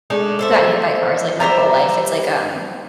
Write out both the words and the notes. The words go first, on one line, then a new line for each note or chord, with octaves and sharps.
gotten hit by, uh, cars, like, my whole life. It’s like, um
G#3 A3 D4 D#4
A4 C5 E5
G3 C5 E5 A#5